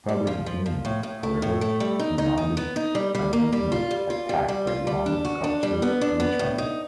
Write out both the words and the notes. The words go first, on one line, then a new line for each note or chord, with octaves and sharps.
Public opinion, however, demanded an immediate attack by the army to capture Richmond.
G3
F3
F3
F3
A2
A2
A3
A2
A3
G3
D#4
D#4
D#4
B3
D#4
G3
G3
A#3
G3
F4
G3
F4
G3
G3
F4
G3
D4
F#4
D4
G3
B3
D4
B3
A2
D#4